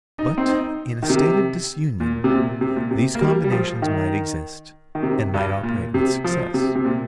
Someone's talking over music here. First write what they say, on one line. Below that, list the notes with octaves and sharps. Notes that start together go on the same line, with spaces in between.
But in a state of disunion, these combinations might exist and might operate with success.
D#4
C4
D#4
D#3
C3
A#2
C3
A#2
C3
A#2
C3
A#3
G3
G3
F3
D#3
D#3
C3
G2
A#2
C3
F3
C3
C3
A#2